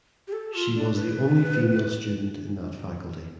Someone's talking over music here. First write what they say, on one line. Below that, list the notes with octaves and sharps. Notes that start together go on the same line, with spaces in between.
She was the only female student in that faculty.
G4
A4
F4
D4
B4